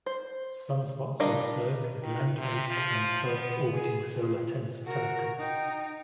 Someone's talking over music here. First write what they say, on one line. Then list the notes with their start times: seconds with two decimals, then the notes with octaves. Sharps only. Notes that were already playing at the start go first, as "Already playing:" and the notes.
Sunspots are observed with land-based and Earth-orbiting solar telescopes.
0.06 C5
1.20 G3 D4 A#4 D#5 F5
2.03 D#3
2.38 C3
2.69 F3
3.24 B3
3.72 G#4
4.10 F2
4.85 F#4 A#4
5.39 D#4 G5